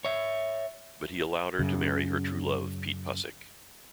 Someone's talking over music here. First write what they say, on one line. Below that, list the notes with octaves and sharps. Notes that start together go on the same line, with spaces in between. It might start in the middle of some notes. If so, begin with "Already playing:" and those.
But he allowed her to marry her true love Pete Pussick.
C#5 E5
F#2 C#3